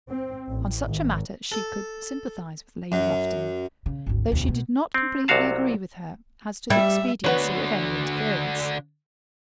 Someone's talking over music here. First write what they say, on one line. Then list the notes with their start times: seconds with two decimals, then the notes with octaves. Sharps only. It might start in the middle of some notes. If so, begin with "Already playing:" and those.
On such a matter she could sympathize with Lady Lufton, though she did not completely agree with her as to the expediency of any interference.
0.11 C4
0.48 A1
0.87 G#1
1.52 A4
2.92 F#2
3.86 C#3
4.06 G#1 D2
4.28 E1 D2
4.48 B2
4.94 C4
5.28 C2 C3 F#3 F#4 F5 A5
6.70 G3 E5
7.24 D3 B3 F#4 B4 C#5